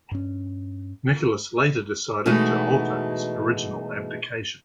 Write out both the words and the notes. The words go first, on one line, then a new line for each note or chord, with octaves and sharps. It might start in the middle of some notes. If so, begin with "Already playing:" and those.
Nicholas later decided to alter his original abdication.
G2 C#4
B2 E3 G#3 A3 D#4 F#4